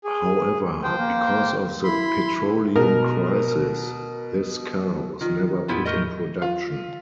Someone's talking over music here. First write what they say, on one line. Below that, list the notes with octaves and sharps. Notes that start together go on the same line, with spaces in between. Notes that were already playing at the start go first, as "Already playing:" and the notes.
However, because of the petroleum crisis this car was never put in production.
G#4
F3 C5 G5
A#3
E4 B5 C6
B2 A#4
D#3 F4
E2 A2 B3 E4 F4 G4
A3 A#4 D#5
F4